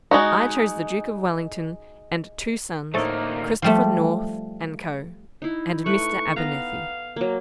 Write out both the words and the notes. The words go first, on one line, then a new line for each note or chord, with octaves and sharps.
I chose the Duke of Wellington and two sons, Christopher North and Co., and Mr. Abernethy.
G#3 D#4 F#4
D2 A2 A3 A#3 D#4 A4 C5 D#6
F3 G3 A3
D#4 E4
A3 B4 C#6
B3 F5 A#5
F#3 A#3